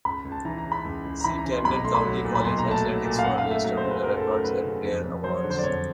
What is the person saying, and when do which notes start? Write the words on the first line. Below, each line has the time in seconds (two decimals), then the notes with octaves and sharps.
"See Camden County College Athletics for a list of records and player awards".
0.05 C#2 B5
0.25 C#2
0.32 A5
0.45 E3 A#5
0.58 A#5
0.65 C#3
0.72 B5
0.85 C#2
1.05 C#2
1.20 A#5
1.24 E3 B5
1.38 A#5
1.45 C#3
1.52 C6
1.64 B1 B5
1.75 A#5
1.84 A3 C6
1.95 B5
2.05 F#3
2.25 A#2
2.35 B5
2.44 B1 C6
2.58 A#5
2.65 A3
2.71 A5
2.85 F#3
3.04 A#2
3.19 F5
3.24 F#2 F#5
3.38 F5
3.44 A3
3.51 E5
3.64 F#3
3.77 C5
3.84 C#3
3.91 B4
4.04 F#2 A#4
4.17 A4
4.24 A3
4.31 A#4
4.44 F#3 B4
4.64 C#3
4.84 F2
5.04 F2
5.24 F#3 C5
5.37 C#5
5.44 D3
5.50 C5
5.58 D5
5.64 F2 C#5